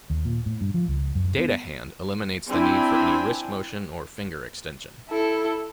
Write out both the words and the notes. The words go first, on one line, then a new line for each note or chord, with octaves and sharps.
DataHand eliminates the need for any wrist motion or finger extension.
D#2
A#2
A2
G2
F3
C#2
F#2
B3
C4 D4 E4 G5 G#5
E4 A4